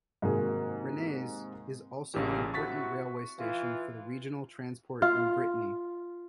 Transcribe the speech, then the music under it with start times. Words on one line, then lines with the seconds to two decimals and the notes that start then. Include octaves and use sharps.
Rennes is also an important railway station for regional transport in Brittany.
0.22 G#2 C3 D#3 A#3 F#4 G#4
2.14 A1 A#2 C#3 G4
2.54 C3 E4 F#4 C#6 A6 B6
3.38 E3 F4
5.02 F4